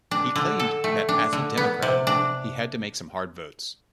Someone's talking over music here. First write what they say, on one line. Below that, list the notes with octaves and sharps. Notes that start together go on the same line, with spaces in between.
He claimed that as a Democrat, he had to make some hard votes.
D4
D3
A4
A3
D4
D3
B3
C3
D4